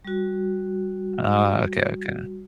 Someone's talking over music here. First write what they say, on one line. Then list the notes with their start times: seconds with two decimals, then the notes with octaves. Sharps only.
Oh, okay, okay.
0.05 G3 F#4